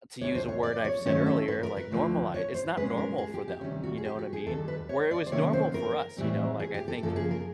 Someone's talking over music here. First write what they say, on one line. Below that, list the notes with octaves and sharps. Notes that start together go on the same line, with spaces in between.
to use a word I've said earlier, like, normali it's not normal for them, you know what I mean? Where it was normal for us, you know, like I think
D2 D3 G3 C#5
C5
C#5
D5
C#5
G2 D#3 F#3 A3 C#4 C#5
A4
B4
A#4
B4
D2 D3 F3 A3
C#5
C5
B2 G#3 C#4 B4
A#4
G#4
G4
G4
D2 C3 D#3 G3 C#4
F#4
G#4
G4
F#4
G#4
D#2 D#3 G3 A4
B4
C#5
D5
C5
C3 D#3 F#3 A#3 C#4 C#5
C5
A#4
A2 E3 G3 C4
G#4
G4
A4
F#2 C#3 F3 A#3 A4
G#4
A#4